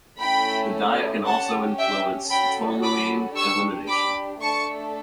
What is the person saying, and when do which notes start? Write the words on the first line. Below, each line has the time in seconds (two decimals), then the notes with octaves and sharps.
The diet can also influence toluene elimination.
0.20 A3 C#4 E4 G5 B5
1.26 C#4 G4 F#5 A5
1.78 E5 G5
2.30 C#4 F#4 A4 G5 B5
2.83 B5 D6
3.36 D4 G4 C#6 E6
3.89 B5 D6
4.41 A3 D4 A4 A5 C#6